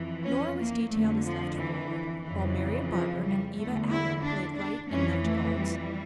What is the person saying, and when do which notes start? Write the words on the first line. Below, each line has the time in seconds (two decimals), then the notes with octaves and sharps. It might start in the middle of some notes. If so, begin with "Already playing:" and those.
Nora was detailed as left forward, while Marian Barber and Eva Allen played right and left guards.
Already playing: F2 E3
0.25 C#4
0.59 A#3
0.91 F2 D3 A3
1.25 F3
1.57 E3
2.24 F2 C#3 E3
2.90 F3
3.23 G3
3.56 E2 D3 A3
3.90 E4
4.23 D4
4.56 D4
4.89 F2 E3 C#4
5.22 A3
5.56 G3